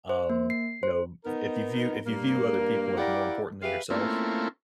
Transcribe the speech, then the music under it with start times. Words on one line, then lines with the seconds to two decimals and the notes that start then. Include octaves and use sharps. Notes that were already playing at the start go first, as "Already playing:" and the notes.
um, you know, if you view if you view other people as more important than yourself,
0.09 C5
0.30 A#3
0.50 C7
0.83 C5
1.25 B3 D#4 A#4
2.05 G2 A#3 A#4
2.97 E4 G4 A#4 D5 F5 F#5
3.62 G4 G#4 B4 E5 F5
3.90 A3 A#3 C4 C#4 E4 F4